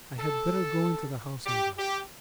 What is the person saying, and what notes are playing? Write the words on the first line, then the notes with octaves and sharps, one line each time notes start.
I had better go into the house and die.
A4
G4
G4